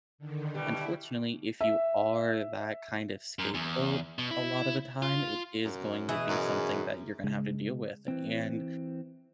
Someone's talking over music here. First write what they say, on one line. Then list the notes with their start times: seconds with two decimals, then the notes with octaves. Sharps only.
unfortunately, if you are that kind of scapegoat a lot of the time, it is going to be something that you're gonna have to deal with, and
0.18 D3 D#3
0.54 B2 G3 E4
1.61 E5
3.39 F#2
3.54 E2
4.19 B2
4.31 E4
5.02 F4
5.65 F#2
6.09 B2 E3 G#4
6.29 F#2
7.24 C#3 G#3
8.08 E3 C4